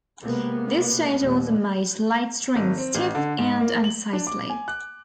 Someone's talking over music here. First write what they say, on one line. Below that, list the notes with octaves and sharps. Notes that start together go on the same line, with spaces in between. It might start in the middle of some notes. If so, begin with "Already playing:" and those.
This change also made light strings stiff and unsightly.
C3 G#3 A#3 B3
D#2 A#2 G3
G#1
C4
A1
D3
G#2
A#3
F#7
D4
D6
G#5
F#6